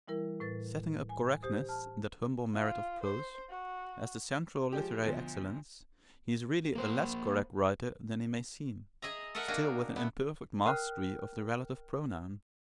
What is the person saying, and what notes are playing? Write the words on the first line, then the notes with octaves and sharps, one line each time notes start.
Setting up correctness, that humble merit of prose, as the central literary excellence, he is really a less correct writer than he may seem, still with an imperfect mastery of the relative pronoun.
E3 G3 E4 A#4
A2 B4 A6
G#5
G4 C5 D#6
A5 F6
F4
C5
F#4
F3 G#3 G4
D2 B2 F3
A#3 C5
G#4 D#5 E5 A#5
A4 A#4 D#5 E5 F#5
A#3 D4 D#4 F#4 G#4 G5
A3 B3
A#4 G5 F6 F#6